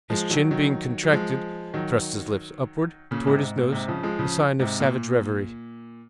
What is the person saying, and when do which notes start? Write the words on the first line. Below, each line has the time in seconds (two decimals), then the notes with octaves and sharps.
His chin being contracted, thrust his lips upwards towards his nose, a sign of savage revery.
0.10 F3 G#3
0.30 D#3 F#3
0.51 D#3 F#3
1.03 F#3
1.12 F3 G#3
1.74 D#3 F#3
3.11 A#2 C#3
3.27 G#2 C3
3.42 G#2
3.58 A#2
3.72 G#2 C3
3.88 C#3 F3
4.03 F3 G#3
4.19 C#3 F3
4.60 G#2 C3
4.80 A#2